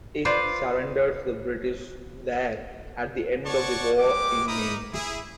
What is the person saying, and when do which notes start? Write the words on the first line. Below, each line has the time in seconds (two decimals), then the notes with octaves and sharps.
It surrendered to the British there at the end of the war in May.
0.25 F4 B4 C5 D5 F5
3.46 C#5 D5 F#5 A5 C#6
3.98 G#3 G4 D6
4.47 D#4 E4 A#4 B5 D#6
4.93 E4 G#4